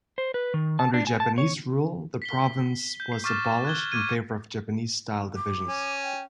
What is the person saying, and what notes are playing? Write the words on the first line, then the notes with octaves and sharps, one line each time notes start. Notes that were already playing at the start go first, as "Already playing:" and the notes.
Under Japanese rule, the province was abolished in favour of Japanese-style divisions.
C5
B4
D#3
A5
D4
G#5
A5
C#5
B6 C7 G7
G6
C7
C#6 D6 F6 A6 C7 E7
F#6 G#6 G7
C#6 D6 F6 G#6 D#7
D6
C#4
G5